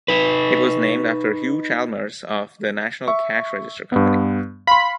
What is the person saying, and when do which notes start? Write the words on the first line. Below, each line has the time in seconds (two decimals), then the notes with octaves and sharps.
It was named after Hugh Chalmers of the National Cash Register Company.
0.08 D#4 B4
3.08 E5 C#6
3.92 G2 B3
4.67 F5 B5 C6